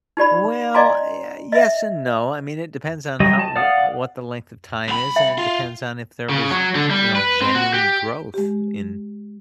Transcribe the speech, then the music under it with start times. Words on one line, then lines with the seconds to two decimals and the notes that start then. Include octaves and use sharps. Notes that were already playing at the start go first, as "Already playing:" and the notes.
Well, ye yes and no. I mean, it depends on how w what the length of time is, and it depends on if there was, you know, genuine growth in
0.17 D#4 G4 D5 B5
0.74 D5 D#5 G#5 A#5 C6
1.52 D#5 E5
3.20 F#3 G3 D#5
3.39 A5
3.56 D5 F5 F#5 D#6
4.88 C2 B5
5.16 E5 G5
5.38 F4
6.29 C#3
6.51 F#3
6.75 D3
6.91 G3
7.16 B4
7.41 C4
7.55 F#4
7.74 G4
8.34 G#3 G4